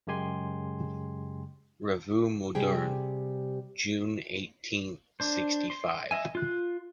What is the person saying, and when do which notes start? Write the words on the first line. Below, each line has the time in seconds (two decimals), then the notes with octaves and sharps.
REVUE MODERNE, June eighteen sixty-five.
0.07 F#2 C#3 G#3 G4 G#5 C6
2.55 C3 G3 G4 G#4 G5
5.20 D4 C5
5.70 C6
6.11 D#5 E5 G#5
6.35 F4 F#6